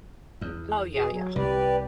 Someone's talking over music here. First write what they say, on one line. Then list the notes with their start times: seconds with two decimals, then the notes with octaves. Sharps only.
Oh, yeah, yeah.
0.41 E2
0.94 B2 G#4
1.11 F#3
1.36 C2 G4 B4 D5